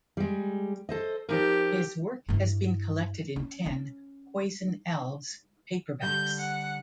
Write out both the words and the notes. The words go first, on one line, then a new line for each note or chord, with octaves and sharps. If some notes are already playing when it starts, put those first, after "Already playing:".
His work has been collected in ten "Poison Elves" paperbacks.
G3 G#3
A4 C5 D#5
F3 D#4 G4 A#4
G2 E4
C#4
C#4
D3 G3 G6
F#5